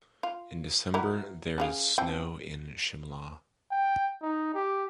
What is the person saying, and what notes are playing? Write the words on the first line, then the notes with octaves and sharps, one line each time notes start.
In December there is snow in Shimla.
F4
F#3 E4 A#4
C#3 G#4 F5
F3 C4 G5
G5
D#4
G4